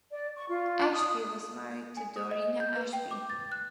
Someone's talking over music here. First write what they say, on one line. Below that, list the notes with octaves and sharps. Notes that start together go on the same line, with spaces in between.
Ashby was married to Dorina Ashby.
D5
C#6
F4
D#6
G#5
D#6
D#5
G6
B4
G5
D6
A6
F#6